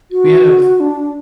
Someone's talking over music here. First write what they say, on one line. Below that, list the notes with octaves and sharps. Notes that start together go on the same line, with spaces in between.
We have
F#4
D4